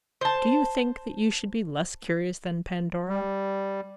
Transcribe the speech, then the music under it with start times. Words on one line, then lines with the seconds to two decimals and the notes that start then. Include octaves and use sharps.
Do you think that you should be less curious than Pandora?
0.21 C5 A5
3.08 G3